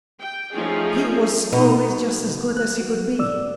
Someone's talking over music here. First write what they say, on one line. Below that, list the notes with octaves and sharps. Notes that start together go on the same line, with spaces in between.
"He was always just as good as he could be!"
G5
F3 A3 C#4 D#4 F4 G#4
B2 D#4
F#6
F#4
D5 E6